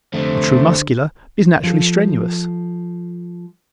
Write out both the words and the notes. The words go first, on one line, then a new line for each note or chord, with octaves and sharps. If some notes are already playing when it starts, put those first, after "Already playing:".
The true Muscular is naturally strenuous.
F2 D3 A3 C5
F3 A4